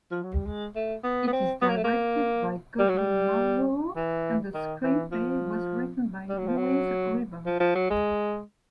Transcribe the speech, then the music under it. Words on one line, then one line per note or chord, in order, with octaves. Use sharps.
It is directed by Godwin Mawuru and the screenplay was written by Louise Riber.
F3
F#3
G3
G#3
A3
B3
B3
C4
B3
A#3
A3
A#3
G3
F#3
G3
E3
D#3
E3
F3
G3
F#3
F3
F#3
F3
F3
F#3
G#3